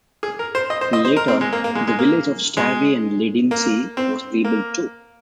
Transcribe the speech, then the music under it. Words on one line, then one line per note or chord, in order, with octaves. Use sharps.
Later, the village of Stari Ledinci was rebuilt too.
G#4
A#4
C5
D#5
C5
D#5
C5
A#4
C4
G#3
A#3
A#3
G#3
G#3
A#3
G#3
A#3
C4
A#3